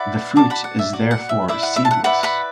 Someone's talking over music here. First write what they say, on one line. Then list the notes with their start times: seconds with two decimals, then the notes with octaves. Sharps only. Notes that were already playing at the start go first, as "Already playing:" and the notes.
The fruit is therefore seedless.
Already playing: E4 B4 D5 F#5 B5
0.36 F#4 D5 A5 D6
0.50 F#5 B5
0.64 F#5
0.79 E5
0.93 F#4 D5
1.11 F#5
1.29 E5
1.48 E4 B4 D5 E5
1.63 F#5
1.76 E5
1.85 A5
1.91 F#5
2.04 E4 B4 D5 F#5 B5
2.23 F#5 B5